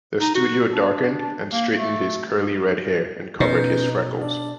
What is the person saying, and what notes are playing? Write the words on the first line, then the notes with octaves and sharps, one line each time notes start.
The studio darkened and straightened his curly red hair and covered his freckles.
D#4
F#4
D4
A#3
A3
B2 C#4 D#4 B4 G6
D4 D5